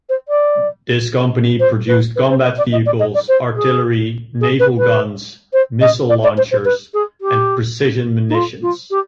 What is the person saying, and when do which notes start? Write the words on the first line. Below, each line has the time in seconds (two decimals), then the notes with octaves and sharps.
This company produced combat vehicles, artillery, naval guns, missile launchers and precision munitions.
0.09 C5
0.28 D5
1.60 C5
1.88 B4
2.16 B4
2.29 C5
2.44 D#5
2.58 D5
2.72 D#5
2.86 D5
3.00 D#5
3.14 D5
3.28 C5
3.56 G#4
4.41 G#4
4.59 B4
4.78 B4
5.53 C5
5.81 D#5
6.09 D5
6.23 D5
6.37 C5
6.51 C5
6.65 B4
6.94 G#4
7.21 G4
8.29 D#4
8.34 F4
8.62 F4
8.90 G4